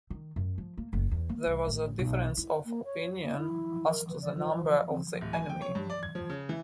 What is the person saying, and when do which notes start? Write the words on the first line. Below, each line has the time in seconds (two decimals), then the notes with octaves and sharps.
There was a difference of opinion as to the number of the enemy.
0.10 D#3
0.36 F#2
0.58 F3
0.78 A#3
0.93 F#1
1.11 E2
1.29 A#3
1.46 C2
1.67 A1
1.99 B1
2.37 E4
2.66 A#3
2.85 C#5
3.24 A#3
3.38 E4
3.89 A#4
4.10 B4
4.22 D5
4.36 F3
4.55 F3
4.89 C4
5.21 D1
5.33 G#5
5.49 G5
5.62 C#5
5.75 G2
5.90 D5
6.03 G#6
6.15 F3
6.30 C#3
6.49 E3